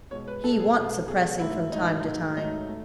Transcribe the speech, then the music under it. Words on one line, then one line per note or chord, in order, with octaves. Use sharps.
He wants suppressing from time to time.'
B2 G#3 C#5
B4
B2 G#3 A4
G#4
B2 G#3
B2 G#3 G#4
G#2 F#3 A3 E4
G#2 F#3 A3 D#4
G#2 F#3 A3 D#4
G#2 F#3 A3 D#4
A3